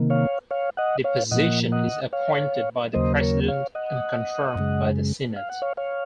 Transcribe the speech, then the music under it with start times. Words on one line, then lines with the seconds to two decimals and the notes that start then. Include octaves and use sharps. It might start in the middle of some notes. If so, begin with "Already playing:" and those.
The position is appointed by the president and confirmed by the Senate.
Already playing: C3 D#3 A#3
0.10 C#5 F5
0.51 C#5 F5
0.77 D#5 F#5
1.04 C#5 F5
1.31 A#2 F3 A#3 D#5 F#5
1.72 D#5 F#5
2.13 C#5 F5
2.93 D#2 C#3 F#3 A#3 C5 D#5
3.21 A#4 C#5
3.48 C#5 F5
3.75 D#5 F#5
4.55 F#2 C#3 G#3
5.36 F5
5.50 F#5
5.62 C#5 F5
5.77 C#5 F5